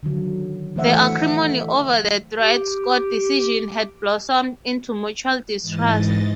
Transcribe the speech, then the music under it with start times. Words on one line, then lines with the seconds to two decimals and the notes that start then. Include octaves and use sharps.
The acrimony over the Dred Scott decision had blossomed into mutual distrust.
0.03 D3 D#3 F#3
0.76 E3 F#3 A3 C5 E5 F#5
2.38 G4
5.60 G#2 E3 D#5 A6